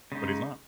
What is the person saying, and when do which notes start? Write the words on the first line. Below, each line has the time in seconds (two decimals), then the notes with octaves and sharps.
but he's not.
0.12 C#3 G#3 D#4